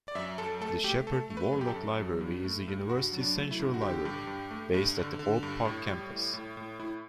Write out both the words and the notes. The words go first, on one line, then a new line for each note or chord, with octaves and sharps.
The Sheppard-Worlock Library is the university's central library, based at the Hope Park campus.
D5
F#2 E5
F#2 A4
A3 A4
A3 G4
A3 A4
A3
B4
F#2
G4
A4
F#2
F#3
G2
A3
G2
G2 F#4
F#3
D4
A3
E4
G2
F#4
D3 G4
G2
G2
A3
G2
D3
D3
G2
A2
G3
A2
A2
A2
A2 E4